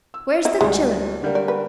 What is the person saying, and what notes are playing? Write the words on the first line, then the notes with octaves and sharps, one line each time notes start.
Where's them chillen?
E6
E4 D#5
D2 G3 G#3 E4
D3 G3 A#3
D5
B4